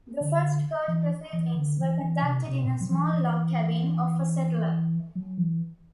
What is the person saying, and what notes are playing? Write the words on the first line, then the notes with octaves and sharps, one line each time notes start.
The first court proceedings were conducted in a small log cabin of a settler.
D3
E3
E3
D3
E3
E3
C3
C3
A2
B2
F#3
E3
E3
F#3
E3